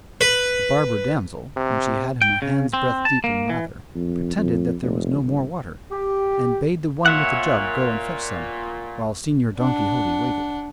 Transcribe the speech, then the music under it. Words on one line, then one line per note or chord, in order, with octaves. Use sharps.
The barber damsel, when she had him a hand's breadth deep in lather, pretended that there was no more water, and bade the one with the jug go and fetch some, while Senor Don Quixote waited.
B4
C3
G5
C#3
C4
A5
A#3
E3
F2
F2
F1
G1
G4
A#2 C#5 E5 F#5
D4 F#5